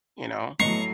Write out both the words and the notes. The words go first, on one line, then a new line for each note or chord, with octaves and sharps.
you know?
A2 F#3 A3 B3 D#5 A#5 C#6 C7